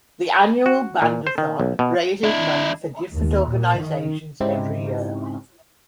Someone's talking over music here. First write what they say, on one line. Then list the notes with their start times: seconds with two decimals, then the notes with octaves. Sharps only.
The annual Band-a-Thon raises money for different organizations every year.
0.66 F#4
1.02 A#2
1.27 C5
1.38 D#3
1.60 B1
1.79 B2
2.24 D4 E4
3.13 D#2
3.47 A#2
3.78 D#3
4.41 G#2 C#3 C4 D#4 E4 G4